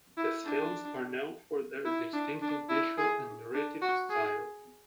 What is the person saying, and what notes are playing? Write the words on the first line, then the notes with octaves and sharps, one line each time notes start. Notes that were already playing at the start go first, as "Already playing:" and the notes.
His films are known for their distinctive visual and narrative style.
E4
D4
E4
D4
D4
E4
G#4
D4
F#4
G#4